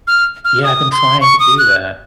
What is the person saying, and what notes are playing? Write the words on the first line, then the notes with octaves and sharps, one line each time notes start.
Yeah, I've been trying to do that.
F6
F6
D#6
C6
C#6
D#6
F#6